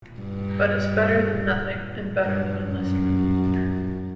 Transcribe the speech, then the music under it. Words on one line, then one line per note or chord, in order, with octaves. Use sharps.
But it's better than nothing, and better than enlistment.
G2
G2
F#2